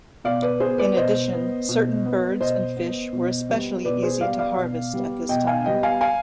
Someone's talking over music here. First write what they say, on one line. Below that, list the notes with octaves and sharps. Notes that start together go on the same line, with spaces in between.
In addition, certain birds and fish were especially easy to harvest at this time.
B2 D5 F5
B4 D5
B3 G#4 C5
B4 D5
B2 C5 D#5
B3
B2
B3
B2 C5 D#5
B3
B2
G3 B3
B2 B4 D5
G#4 C5
G3 B3 D5 F5
D5 F5
B2
G3 B3
B2 D#5 G5
F5 G#5
G3 B3 D#5 G5
F5 G#5
F5 G#5